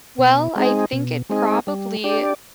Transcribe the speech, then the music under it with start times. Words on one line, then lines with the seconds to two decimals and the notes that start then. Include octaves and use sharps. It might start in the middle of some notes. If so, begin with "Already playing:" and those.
Well, I think it probably i
0.18 B2
0.56 G#3 C4 D#4 G#4
0.93 B2
1.30 G#3 C4 D#4 G#4
1.67 G3
2.04 D4 G4 D5